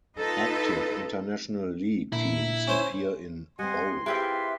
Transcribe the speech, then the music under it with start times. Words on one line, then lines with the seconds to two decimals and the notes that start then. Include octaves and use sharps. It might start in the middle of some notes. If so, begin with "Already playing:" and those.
Active International League teams appear in bold.
0.17 D#4 F4 A4 B4
2.12 A#2 D3 E4
2.68 C#4 C5
3.59 G3 C4 D#5 F#5 G#5 C6
4.06 C4 E4 F4 G4 G#4 B4 E5